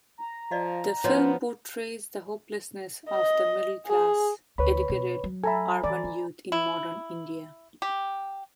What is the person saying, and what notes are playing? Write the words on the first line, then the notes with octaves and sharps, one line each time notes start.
The film portrays the hopelessness of the middle-class, educated, urban youth in modern India.
A#5
F3 D5 D#5 F5
F3 B3 F#4 C#5 D#5
D#5
G#4
D2 B4 C#5 B5
B2
F#3
A4 E5 G#5 A#5 B5
E3 D5
D#4
E4
G4